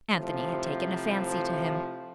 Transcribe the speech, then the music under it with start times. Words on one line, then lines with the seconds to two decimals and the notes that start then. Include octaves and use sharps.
Anthony had taken a fancy to him.
0.13 A2 C3 F3